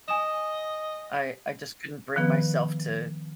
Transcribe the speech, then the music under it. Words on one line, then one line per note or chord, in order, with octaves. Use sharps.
I I just couldn't bring myself to
D#5 G#5 D#6 E7
D#3 F3 B3 B4